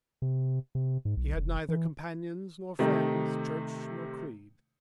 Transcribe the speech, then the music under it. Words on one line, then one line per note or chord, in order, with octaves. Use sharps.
He had neither companions nor friends, church nor creed.
C3
C3
G#2
B1
F1
E3
C3 D#3 A3 D#4